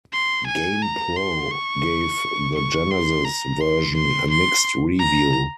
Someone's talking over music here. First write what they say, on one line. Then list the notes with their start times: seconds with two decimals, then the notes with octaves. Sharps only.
"GamePro" gave the Genesis version a mixed review.
0.13 C6
0.47 G#5
0.82 A#5
1.16 C6
1.52 C#6
2.55 C#6
2.91 C6
3.25 A#5
3.61 C6
3.95 C6
4.30 C6
4.99 A#5